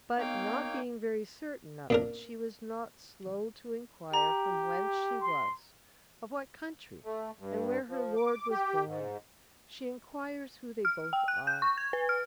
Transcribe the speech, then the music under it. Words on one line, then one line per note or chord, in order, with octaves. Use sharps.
But not being very certain of it, she was not slow to inquire from whence she was, of what country, and where her lord was born; she inquires who they both are.
A#3 B3 D#4 C#5 F5 G5
A#2 D4 A#4
G4 A#5
C6
A3
G2
F3
D6
G4
G#2
F6
G5
F#6
G6
C#6
G#6
B4
F6